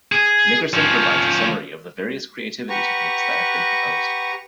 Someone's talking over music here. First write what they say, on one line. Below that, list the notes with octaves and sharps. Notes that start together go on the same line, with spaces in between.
Nickerson provides a summary of the various creativity techniques that have been proposed.
G#4
F3 C#4
G4 B4 F#5 A#5 C#6